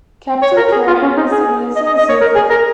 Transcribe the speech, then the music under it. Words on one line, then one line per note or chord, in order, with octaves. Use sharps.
Captain Carrot and His Amazing Zoo Crew!
C#5
A#4
G#4
F4
C#4
D#4
G#4
D#5
D#5
D#5
C#5
A#4
G#4
A#4